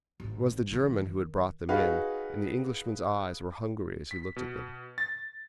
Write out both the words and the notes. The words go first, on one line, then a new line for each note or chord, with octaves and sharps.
It was the German who had brought them in, and the Englishman's eyes were hungry as he looked at them.
G#1 G#2
D3 E3
D#3
D#4 F#4 G#4 B4 F5
B6
B2
A6